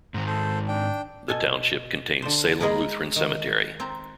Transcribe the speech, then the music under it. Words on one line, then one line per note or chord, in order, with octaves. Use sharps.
The township contains Salem Lutheran Cemetery.
G#2 D#3 A#5
A4 C5
D4 G5
B2 A4 G#5
D3 C5
G#3 G#4 A#4 B4
D#3
C4 A#5